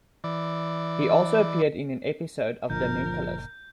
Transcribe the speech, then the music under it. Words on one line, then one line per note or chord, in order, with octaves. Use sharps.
He also appeared in an episode of "The Mentalist".
E3 D5
F#1 A#2 D3 F3 A#4 G6